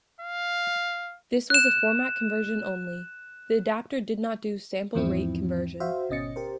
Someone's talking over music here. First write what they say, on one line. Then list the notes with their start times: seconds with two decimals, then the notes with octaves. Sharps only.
This was a format conversion only, the adapter did not do sample rate conversion.
0.21 F5
1.50 F#6 E7
4.95 E2 G#2 F3 C4 E4
5.80 F#4 C5 E5 F5
6.09 G#1 B2 C#4 D#5 A6 C#7
6.36 G4 A#4 C5